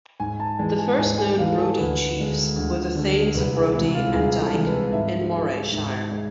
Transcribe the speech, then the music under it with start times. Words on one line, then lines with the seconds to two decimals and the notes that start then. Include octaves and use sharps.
The first known Brodie chiefs were the Thanes of Brodie and Dyke in Morayshire.
0.20 G#2 G#5
0.40 A5
0.59 E3 G#3 G#5
0.79 G#5
0.98 G#2 G#5
1.18 G#5
1.38 E3 G#3 F5
1.58 A4
1.77 D2 B4
2.17 D3 G#3
2.56 D2
2.95 D3 G#3
3.35 C2 B4
3.55 G#4
3.74 C3 E3 G#3 E4
3.94 F4
4.14 C2 G#4
4.41 A4
4.53 C3 E3 G#3
4.66 B4
4.92 G#2 E5
5.32 G#3
5.72 G#2
6.11 G#3